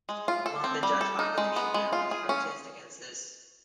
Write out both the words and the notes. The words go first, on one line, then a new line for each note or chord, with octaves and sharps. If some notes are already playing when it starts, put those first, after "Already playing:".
Among the Dutch population there was protest against this.
G#3
F4
A4
C4
G3
A4
D#4
G#3
B3
G#3
F4
G#4
C#4